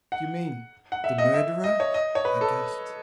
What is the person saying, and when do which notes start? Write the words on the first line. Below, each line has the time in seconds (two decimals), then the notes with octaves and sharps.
"You mean--the murderer?" I gasped.
0.12 F#5
0.92 F#5
1.04 E5
1.18 D#5
1.34 E5
1.64 D#5
1.80 C#5
1.94 D#5
2.15 C#5
2.25 B4
2.41 A4